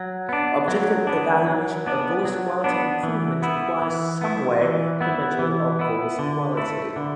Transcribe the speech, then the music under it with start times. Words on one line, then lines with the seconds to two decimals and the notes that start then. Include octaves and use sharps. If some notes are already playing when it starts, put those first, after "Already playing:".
Objective evaluation of voice quality improvement requires some way to measure of voice quality.
Already playing: F#3
0.29 B3 D4
0.68 F#3
1.07 B3 D4
1.47 F#3
1.86 B3 D4
2.25 F#3
2.64 B3 D4
3.03 E3
3.42 B3 E4
3.82 E3
4.21 B3 E4
4.61 E3
5.01 B3 E4
5.39 E3
5.79 B3 E4
6.19 D3
6.57 A3 E4
6.96 D3